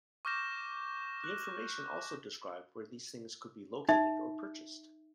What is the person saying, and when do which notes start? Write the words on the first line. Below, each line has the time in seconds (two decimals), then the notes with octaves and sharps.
The information also described where these things could be located or purchased.
0.25 C#6 D6 F6 G6 A#6 E7
1.24 F#6
3.89 D#4 E5